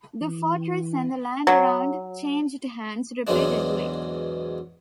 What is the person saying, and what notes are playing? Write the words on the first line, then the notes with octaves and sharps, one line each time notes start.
The fortress and the land around changed hands repeatedly.
E3
F#3
E2 G#2 B2 F#3 G#3 D4